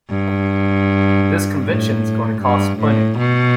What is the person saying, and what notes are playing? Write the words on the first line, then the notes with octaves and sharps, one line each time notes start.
This convention's gonna cost plenty.
G2
A2
G2
A2
B2